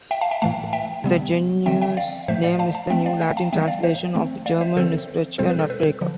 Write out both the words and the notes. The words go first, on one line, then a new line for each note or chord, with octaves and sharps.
The genus name is a New Latin translation of German "Nussbrecher", "nut-breaker".
E5 G5
F5 A5
E5 G5
A2 E3 A3 F5 A5
E5 G5
C3 G3 B3
D3 F3 C4 E5 G5
E5 G5
D5 F5
A2 F3 A3 C5 E5
D5 F5
F5 A5
F5 A5
E3 A3 C4 E5 G5
D5 F5
E5 G5
F5 A5
E3 G3 B3 E5 G5
D5 F5
C5 E5
E3 A3 C4
D5 F5
C5 E5
D3 F3 C4 A4 C5
B2 G3 C4 A4 C5
B4
A4
B4
D3 F3